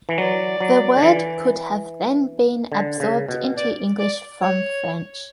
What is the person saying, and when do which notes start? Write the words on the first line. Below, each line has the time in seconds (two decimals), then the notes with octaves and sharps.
The word could have then been absorbed into English from French.
0.09 E3
0.18 F#3 D5
0.61 F#3
0.96 D3
1.03 E3
2.72 D3
3.00 C#3
3.28 B2
3.56 D5
3.98 D5
4.41 C#5